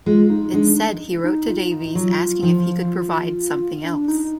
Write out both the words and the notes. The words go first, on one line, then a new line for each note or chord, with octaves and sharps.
Instead, he wrote to Davies asking if he could provide something else.
G#3 F4
D#4
G#3 D4
D#4
D#4
F4
D#4
F#3 F4
F3
D4
D#4